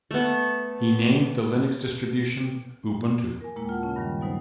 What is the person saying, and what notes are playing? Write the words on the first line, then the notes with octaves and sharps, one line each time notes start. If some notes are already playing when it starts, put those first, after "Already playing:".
He named the Linux distribution Ubuntu.
A3 B3
A#4 G#5
D#2 A#2 G#3 A#3 E4 G5
F4 F#5 A5
C#3 C#4
G2 D#3 G3
F#3 B3 D#4 B4 C5